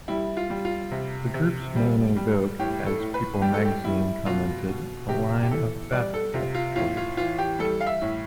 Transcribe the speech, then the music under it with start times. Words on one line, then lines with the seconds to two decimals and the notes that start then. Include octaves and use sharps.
The group's name evoked, as "People" magazine commented, "a line of bathtub toys".
0.08 G3 E4
0.37 F4
0.50 G3
0.65 F4
0.91 C3
1.34 C3
1.76 G3
2.17 G3
2.59 A2 G4
2.86 A4
3.00 A2
3.14 B4
3.42 G3 G4
3.54 A4
3.65 G4
3.84 G3 E4
4.26 B2 F4
4.68 B2
5.09 C3 G4
5.43 G4
5.51 E3 A4
5.92 G3 D5
6.14 A4
6.34 C3 F4
6.55 F4
6.76 A2 F4
6.97 F4
7.17 E3 F4
7.38 G4
7.59 G3 A4
7.81 F5
7.87 E5
8.02 A2